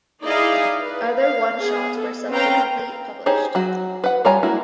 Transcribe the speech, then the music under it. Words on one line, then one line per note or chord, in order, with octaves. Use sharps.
Other one shots were subsequently published.
D#4 E4 G#4 D5 D#5 F5
B4
F5
B3 G#4
A4
C4 C#4 B4 F5 G5 A#5
D#4 G4 G#4 C5 C#5
F#3 F#4
B4 F#5
G3 F4 C#5 G#5 A#5
G#3 A#3 E4 F#4